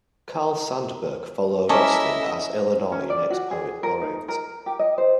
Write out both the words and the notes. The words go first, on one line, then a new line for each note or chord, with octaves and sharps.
Carl Sandburg followed Austin as Illinois next poet laureate.
C#4 E4 A4 A#4 D#5 E5 D6
C#4
D5
F#4
G#4
A#4
D#4
A#4
G4
D#5
C5